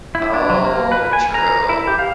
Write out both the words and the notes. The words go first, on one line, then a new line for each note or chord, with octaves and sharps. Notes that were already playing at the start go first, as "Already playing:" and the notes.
Oh, true.
E4
D4
F#3
A#3
B4
G#5
A#5
E4
G4
F5